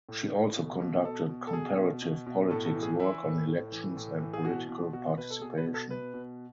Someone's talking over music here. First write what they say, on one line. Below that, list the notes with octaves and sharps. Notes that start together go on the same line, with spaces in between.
She also conducted comparative politics work on elections and political participation.
A2
A2
B2
B2
B2 A4
B2
A4
B2 G#4
B2
B2
B2
A2 A4
A4
E3
G#4
E3 E4
A2
A2
E3
A2
E3
G#4
B2 F#4
B2
B2 F#4
B2 B4
A4
B2 G#4
B4
B2
A4
B2 B4
B2